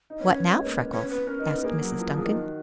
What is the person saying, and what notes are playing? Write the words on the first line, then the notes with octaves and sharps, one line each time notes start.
"What now, Freckles?" asked Mrs. Duncan.
D#4
B3 C#5
C#4
B3
G#3
A#3
B3
C#4
B3 C#5
C#4
B4
B3
C#4 A#4
D#4
B3
A#3 G#4
F#3
F3
F3
D#3
F#4